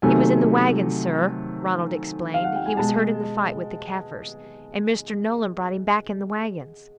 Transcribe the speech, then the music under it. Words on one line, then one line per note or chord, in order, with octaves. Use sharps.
"He was in the waggon, sir," Ronald explained; "he was hurt in the fight with the Kaffirs, and Mr. Nolan brought him back in the waggons."
C3 D#3 F#3 A3 G#5
F5
F#5
G5
G#5
B2 G#3 A5